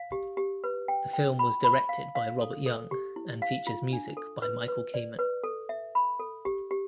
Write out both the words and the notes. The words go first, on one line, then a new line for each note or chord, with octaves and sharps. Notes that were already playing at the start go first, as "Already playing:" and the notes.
The film was directed by Robert Young, and features music by Michael Kamen.
Already playing: F5
G4
G4
B4
G5
G5
B5
B5
F5
F5
A4
A4
G4
E4
F5
F4
D4
A4
B4
B4
D5
B4
A4
E5
B5
A4
G4
G4